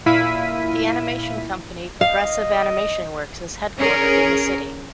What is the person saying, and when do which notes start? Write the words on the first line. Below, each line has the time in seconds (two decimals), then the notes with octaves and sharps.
The animation company Progressive Animation Works is headquartered in the city.
0.06 A#2 E4 F5 B6 D#7
2.01 D#5 F5
3.78 C#4 G#4 A#4